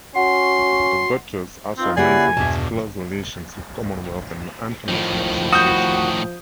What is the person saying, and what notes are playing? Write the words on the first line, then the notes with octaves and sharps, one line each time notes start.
The Butchers' also maintains close relations with Commonwealth and international associations.
C#4 F#4 F#5 C6
C4 D#4 F4 B4
C#3 A#3 E4 F#4 G4 D5 G#5 C7
E2 G2 B2 E5 A5 D6
A2 D#3 F3
F#4 D#6 G6